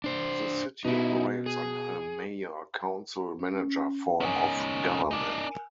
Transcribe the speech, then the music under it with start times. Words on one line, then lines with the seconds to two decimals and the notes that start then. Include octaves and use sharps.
The City operates under a Mayor-Council-Manager form of government.
0.04 D4 C5
0.85 B2 D#4 E4
1.46 G#4
3.39 C#4
4.21 C#4 D#4 A#4 G#5
5.11 D4 D#4